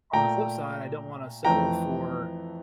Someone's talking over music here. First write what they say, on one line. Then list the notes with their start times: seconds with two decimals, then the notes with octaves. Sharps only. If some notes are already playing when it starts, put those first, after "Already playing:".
On the flip side, I don't wanna settle for
0.13 A#2 A3 G5 A#5
1.45 F2 E3 A3 G5 A#5